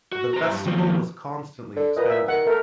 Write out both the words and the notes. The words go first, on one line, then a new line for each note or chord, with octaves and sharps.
The festival was constantly expanded.
F#4
C5 A#5
G2
D#2 F3
D3
A#2 B4 D#5
E5
D#3 F#5
A3 A#4